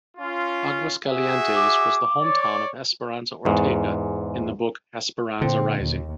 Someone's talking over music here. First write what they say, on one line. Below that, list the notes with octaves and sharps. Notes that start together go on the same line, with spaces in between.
Aguascalientes was the hometown of Esperanza Ortega in the book "Esperanza Rising".
C#4 F4
F#4 G#4 E5
D6
C#5 D5
E2 G#2
A#2 D3 C4
D#2